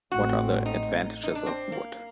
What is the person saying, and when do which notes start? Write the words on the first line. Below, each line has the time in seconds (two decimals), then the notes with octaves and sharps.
What are the advantages of wood?
0.12 A1 A2 A3 C4 F#4
0.66 D#4
1.24 D#4
1.35 D4
1.46 C4
1.72 A#3